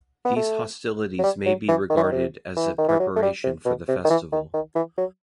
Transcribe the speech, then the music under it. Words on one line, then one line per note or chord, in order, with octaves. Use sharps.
These hostilities may be regarded as a preparation for the festival.
B3
A3
F#3
G3
F#3
E3
D#3
E3
D#3
C3
E3
D#3
E3
F#3
A3
G3
C3
B2
C3
D#3
E3
D#3
D#3
E3
F#3